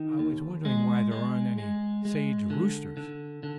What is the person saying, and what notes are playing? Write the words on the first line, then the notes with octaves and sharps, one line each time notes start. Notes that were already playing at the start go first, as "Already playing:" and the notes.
"I was wondering why there aren't any sage roosters?"
Already playing: D#3
D#2
G#3
G#3
G#3
G#3
D3
D3
D3